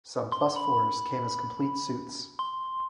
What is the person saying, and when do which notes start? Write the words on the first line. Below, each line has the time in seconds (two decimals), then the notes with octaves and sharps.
Some plus fours came as complete suits.
0.32 C6
0.56 B5
2.39 C6